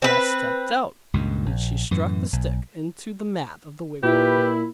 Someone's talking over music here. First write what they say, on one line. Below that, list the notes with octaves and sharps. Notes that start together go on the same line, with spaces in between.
But I stepped out, and she struck the stick into the mat of the wigwam.
C4 B4
C#2 G2 A#2
A#1
F#2 A2 E3
B1
A#2 E4 G4 B4